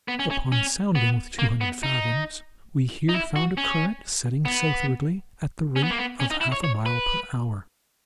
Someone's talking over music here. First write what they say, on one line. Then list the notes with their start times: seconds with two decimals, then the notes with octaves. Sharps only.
Upon sounding with two hundred fathoms, we here found a current setting southwardly at the rate of half a mile per hour.
0.08 B3
0.19 C#4
0.31 C#4
0.52 C#4
0.95 B3
1.39 A#3
1.61 B3
1.83 D#4
3.09 D#4
3.14 E4
3.36 F#4
3.57 C#4
4.45 B3
5.76 C#4
5.83 B3
5.91 A#3
5.98 B3
6.20 C#4
6.31 D#4
6.41 E4
6.52 C#5
6.64 C#5
6.86 B4